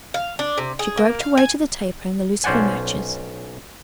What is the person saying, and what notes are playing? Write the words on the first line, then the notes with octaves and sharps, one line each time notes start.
She groped her way to the taper and the lucifer matches.
F5
D4
C3
G#4
A#3
F5
G#5
B1 C#4 C5 D5 F#5 G#5